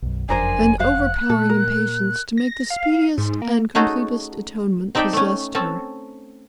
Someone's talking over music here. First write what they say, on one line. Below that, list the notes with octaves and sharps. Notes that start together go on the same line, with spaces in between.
An overpowering impatience to make the speediest and completest atonement possessed her.
B1 F#2
F#1 F2 D4 A#4 C5 G#5
C5 F5 F#5 F#6
A#2 A4
A#4
A#6
F5
G#2
A#3
A3 C#4 D#4 F#4 G#4 A4
C4 D#4 A4 D5 E5 G5
A3 C#4
C4 C#4 A4